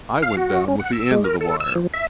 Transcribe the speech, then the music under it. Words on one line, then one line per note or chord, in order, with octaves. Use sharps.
I went down with the end of the wire.
F5
F#4
C#4
F#5
E6
G#3
A#4
A4
E6
F3
E5